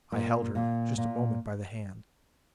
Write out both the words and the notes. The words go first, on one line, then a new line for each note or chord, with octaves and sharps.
I held her just a moment by the hand.
A#2
A#2
A#2